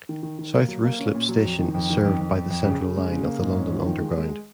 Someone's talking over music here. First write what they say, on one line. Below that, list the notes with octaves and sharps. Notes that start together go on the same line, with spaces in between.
South Ruislip station is served by the Central line of the London Underground.
D#3
D#3
D#3
A#3
F#3
A#3
C#4
A#2
F#3
F2
D#3
F2
D#3
F2
F2
F2
F2
C#3
C#3
G#3
C#3
A#3
G#2
C#4
F3
D#3
G#3
G#3